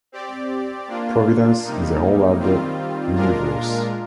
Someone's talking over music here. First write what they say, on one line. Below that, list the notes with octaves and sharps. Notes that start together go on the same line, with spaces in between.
Providence is a whole other universe.
C4 G4 D5
A#3 D4 F4
C3 G3 A#3 D#4
D#3 G3 C4 F4
A#2 G#3 D4 F4 A#4